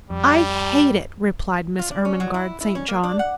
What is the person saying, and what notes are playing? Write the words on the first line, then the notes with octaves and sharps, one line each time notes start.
"I hate it!" replied Miss Ermengarde St. John.
F2 G3
F4
D4
C#4
F#3
E4
E4
C#4
A#3
D4
F#5